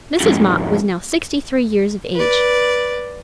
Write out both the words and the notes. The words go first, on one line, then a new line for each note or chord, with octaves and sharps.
Mrs. Mott was now sixty-three years of age.
F2 G#2
B4 D5